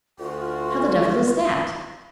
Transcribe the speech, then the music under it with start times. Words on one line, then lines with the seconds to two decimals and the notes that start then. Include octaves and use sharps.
"How the devil is that?"
0.19 D2 F4 F#4